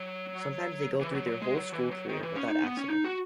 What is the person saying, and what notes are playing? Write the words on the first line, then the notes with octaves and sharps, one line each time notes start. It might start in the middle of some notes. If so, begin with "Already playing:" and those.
Sometimes they go through their whole school career without accident.
Already playing: F#3
E3
F#3
F#3
G#3
F#3
E3
F#3
D#3
E3
C#4
D#4
B3
C#4
D#4
F#4